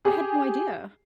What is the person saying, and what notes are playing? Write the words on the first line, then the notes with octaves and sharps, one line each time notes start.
I had no idea.
G4 G#4